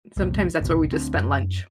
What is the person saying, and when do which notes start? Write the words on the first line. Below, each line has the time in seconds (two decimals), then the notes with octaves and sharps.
Sometimes that's where we just spent lunch.
0.17 C2 F2 A#2
0.61 G1 C2 B2
0.91 D2 C4 D4
1.15 F#2